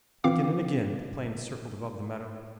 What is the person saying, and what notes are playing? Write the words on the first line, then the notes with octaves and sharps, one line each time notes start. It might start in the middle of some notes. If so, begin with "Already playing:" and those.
Again and again the plane circled above the meadow.
E3 C4 F4 F5 D6